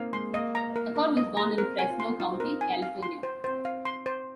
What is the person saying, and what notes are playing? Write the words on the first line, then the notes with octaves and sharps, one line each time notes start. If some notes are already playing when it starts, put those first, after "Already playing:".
Acord was born in Fresno County, California.
Already playing: A#3 C4 D#4 F5
G#3 C6
A#3 D#5
A#5
A#4
A#4
D#5
A#5
C4 A#4
G#5
F4
C6
D#4 F4
C4
D#4 A#4
G#5
F5
C6
C5
C4 C5
F5
C6
C5